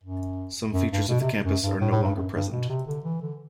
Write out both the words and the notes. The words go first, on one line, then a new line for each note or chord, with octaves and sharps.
Some features of the campus are no longer present.
F#2
F#2
G2
B2
C3
F#2
G2
A2
A2
G2
F#2
G2
B2
C3
D3
E3
D3